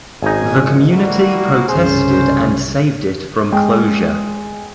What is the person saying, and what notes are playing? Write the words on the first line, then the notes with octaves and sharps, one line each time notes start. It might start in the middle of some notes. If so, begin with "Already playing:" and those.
The community protested and saved it from closure.
G#1 C#4 D#4 G#4 G#5
G3 A3 A#3 E4 F#4
C2 G2 C#3 C#4 G#4 C5
G#3 G5